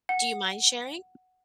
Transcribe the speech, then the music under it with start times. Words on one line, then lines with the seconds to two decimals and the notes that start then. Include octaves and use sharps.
do you mind sharing?
0.09 F#5